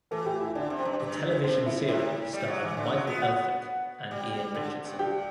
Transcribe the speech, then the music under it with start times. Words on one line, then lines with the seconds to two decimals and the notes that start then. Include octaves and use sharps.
The television serial starred Michael Elphick and Ian Richardson.
0.11 E3 A3 A4
0.26 G4 G5
0.41 E4 E5
0.55 D3 D4 D5
0.70 C3
0.79 F#2
0.85 G2
0.99 G2
1.44 F#2 C4 C5
1.66 E4 E5
1.88 A2 E4 E5
2.33 G3
2.48 F#3
2.63 E3
2.77 D3
2.92 F#3
3.07 B3
3.21 F#4 F#5
4.11 G3
4.33 G3
4.55 D3
4.84 G2
4.99 G2 G4 G5